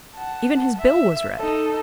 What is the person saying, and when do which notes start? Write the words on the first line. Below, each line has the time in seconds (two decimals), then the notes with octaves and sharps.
Even his bill was red.
0.15 F#5 A5
0.78 E5
1.37 D#4 A4